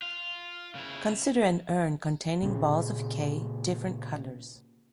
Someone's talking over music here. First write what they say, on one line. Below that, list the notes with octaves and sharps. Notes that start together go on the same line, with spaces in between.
Consider an urn containing balls of "K" different colors.
F4
C#3 E4
A#2 C#3